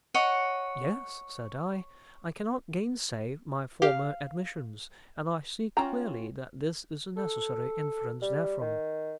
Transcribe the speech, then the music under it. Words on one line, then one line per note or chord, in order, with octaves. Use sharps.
'Yes,' said I; 'I cannot gainsay my former admissions, and I see clearly that this is a necessary inference therefrom.'
C#5 D#5 F#5
G4 F5
C#4 F4 F#4 G5 A#5
A4
G3
D#3